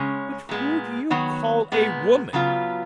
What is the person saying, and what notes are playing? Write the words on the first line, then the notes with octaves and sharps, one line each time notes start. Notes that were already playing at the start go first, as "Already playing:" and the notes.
'But who do you call a woman?
Already playing: C#3 G#3 C#4
A#2 G#3 B3
D#3 F#3 B3 F#4
A#2 G#3 B3
C#3 F#3 B3 F4